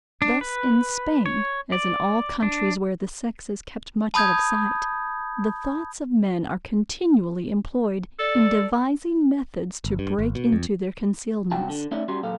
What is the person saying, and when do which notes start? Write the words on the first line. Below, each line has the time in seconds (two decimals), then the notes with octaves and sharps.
Thus in Spain, as in all countries where the sex is kept much out of sight, the thoughts of men are continually employed in devising methods to break into their concealments.
0.22 D4
0.41 B4
1.26 C#5
1.72 D5
2.43 D4
4.14 A5 B5 D#6 G6 G#6
8.19 A4 D5
9.84 G1
9.99 G2
10.19 G#1
10.35 B2
10.53 F2
11.52 C2 C3 F#4 G5 A5
11.70 D3
11.91 A3 C#4 D#4 C#5 D5 E5
12.08 G3 C#4 F#4 C6
12.23 F#2 A#2 A4 F5